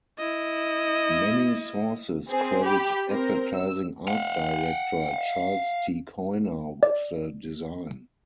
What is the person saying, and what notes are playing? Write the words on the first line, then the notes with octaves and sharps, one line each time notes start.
Many sources credit advertising art director Charles T. Coiner with the design.
E4 D#5
C4 G#4
G4 B5
C4 A#4 C5
E6
F5 F#5
D5